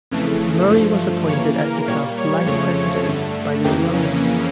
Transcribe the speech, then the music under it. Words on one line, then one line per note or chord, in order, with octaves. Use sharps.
Murray was appointed as the club's Life President by the new owners.
F2 C#3 E3 A3
G2 F3 A3
C#3 E3 A#3 C#5
A#4
A#2 G3 A#3 C#5
C#5
F2 C#3 F3 A3 C#5
G2 D3 A3
F2 C#3 E3 A#3 G4
C#4